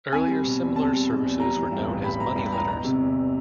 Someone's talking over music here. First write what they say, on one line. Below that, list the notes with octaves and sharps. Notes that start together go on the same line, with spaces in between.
Earlier similar services were known as "Money Letters".
C4 G#5
G3
B2
E2
C4 A5
G3
B2
E2
G3 A#5
E3
G2
A1
G3 B5
E3 A#5
G2 B5
A1 A#5
E1 A#5
C3
E2